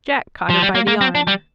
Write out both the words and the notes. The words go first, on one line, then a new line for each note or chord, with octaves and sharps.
Jack caught her by the arm.
F3
G3
A#3
A#3
C4
D4
G3